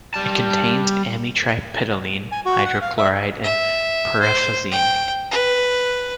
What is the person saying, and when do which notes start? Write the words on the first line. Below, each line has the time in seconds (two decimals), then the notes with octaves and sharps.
It contains Amitriptyline hydrochloride and Perphenazine.
0.14 G3 A5
2.32 G#5
2.45 F#4
2.65 F#5
2.82 F5
2.98 E5
3.44 E5
4.21 C5
4.72 G5
5.31 B4